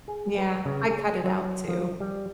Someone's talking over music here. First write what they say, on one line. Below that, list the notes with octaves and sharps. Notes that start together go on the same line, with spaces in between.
Yeah, I cut it out too.
G#4
B4
C#3
G#4
F#3
F3
G3